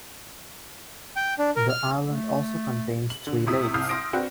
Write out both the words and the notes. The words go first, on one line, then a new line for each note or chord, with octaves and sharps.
The island also contains three lakes.
G5
D4
A#4
F6
A3
F#7
D3
A2 C3 D#6 B6
C2 C3 D#6 F6 G6 C7
C6 D#6 E6 A#6 D7
C4 D4 F#4 B4